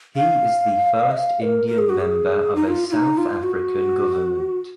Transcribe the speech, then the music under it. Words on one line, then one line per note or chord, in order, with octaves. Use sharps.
He is the first Indian member of a South African government.
F5
D#5
F5
A#4
A#4
G#4
F#4
G#4
D#4
F4
F4
D#4
F4
F#4